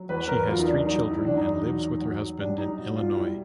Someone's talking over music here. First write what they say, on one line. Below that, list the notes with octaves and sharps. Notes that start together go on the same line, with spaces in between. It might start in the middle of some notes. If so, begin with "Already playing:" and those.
She has three children and lives with her husband in Illinois.
Already playing: F#3
E2 B4
A#4
F#3 F4
D#4
D4
F#3 D#4
E4
E2 D4
D#4
F#3
F#3
G3 D4
D#4
B2
F4
G3 E4